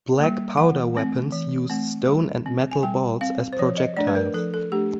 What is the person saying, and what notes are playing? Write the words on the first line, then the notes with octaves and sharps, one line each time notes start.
Black-powder weapons use stone and metal balls as projectiles.
G3 A#3
E3 F#5
A3 C4
E3
A3 C4
G3
C4
G#5
G3 G5
C4 F5
C5
F3 C#5
D#5
A3 D4 D5
B4
A#4
F3 A4
A4
A3 D4 G4